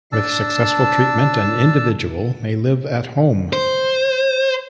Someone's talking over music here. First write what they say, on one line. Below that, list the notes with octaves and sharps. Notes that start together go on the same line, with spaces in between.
With successful treatment, an individual may live at home.
D4 A5 E6
C5